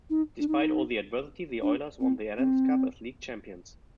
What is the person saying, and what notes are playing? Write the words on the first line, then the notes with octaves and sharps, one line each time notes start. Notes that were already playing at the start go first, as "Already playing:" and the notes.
Despite all the adversity the Oilers won the Adams Cup as league champions.
D#4
D4
D#4
D4
C4
C4